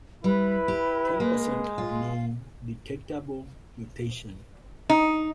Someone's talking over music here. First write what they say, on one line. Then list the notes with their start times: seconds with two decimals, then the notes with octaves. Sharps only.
Ten percent have no detectable mutation.
0.24 G3 E4 B4
0.68 G4
1.20 G#3 A#3
1.78 F4
4.90 D#4